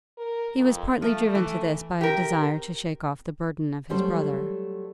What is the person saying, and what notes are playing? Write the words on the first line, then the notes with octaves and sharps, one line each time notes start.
He was partly driven to this by a desire to shake off the burden of his brother.
A#4
F2
F3 A3
E3
C3 G4 A#4
F#3 G3 A3 A4 C5